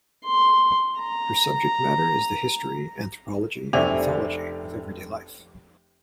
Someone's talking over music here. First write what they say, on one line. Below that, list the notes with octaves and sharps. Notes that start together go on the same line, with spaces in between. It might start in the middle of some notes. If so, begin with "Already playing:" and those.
Her subject matter is the history, anthropology, and mythology of everyday life.
C6
A#5
F1 C3 D4 D5 E5 C#6 F7